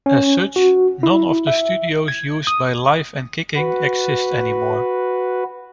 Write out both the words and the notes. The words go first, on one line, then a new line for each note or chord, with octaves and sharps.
As such, none of the studios used by "Live and Kicking" exist anymore.
C#4
F#4
E4
E5
G#6
D#6
F#4 B4